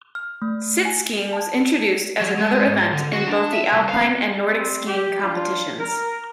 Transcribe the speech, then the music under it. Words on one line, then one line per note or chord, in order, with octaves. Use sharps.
Sit-skiing was introduced as another event in both the Alpine and Nordic skiing competitions.
F6
A3
G#5
A5
F#3
G#3
G#2
D3
F#4
D4
E5
C2
F5
G3 C4
G4
D4 F4
A#4